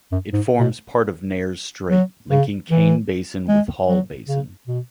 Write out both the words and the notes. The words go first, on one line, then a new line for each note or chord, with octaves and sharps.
It forms part of Nares Strait, linking Kane Basin with Hall Basin.
F#2
G#2
B2
F#3
C#3
E3
G#3
F#3
C#3
B2